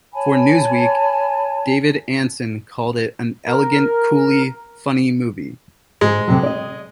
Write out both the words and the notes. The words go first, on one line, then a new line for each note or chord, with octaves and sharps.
For "Newsweek", David Ansen called it an "elegant, coolly funny movie".
C#5 G#5 A5 B5
A#4
G#2 G#3
F2 C3 F#3
D5 D#5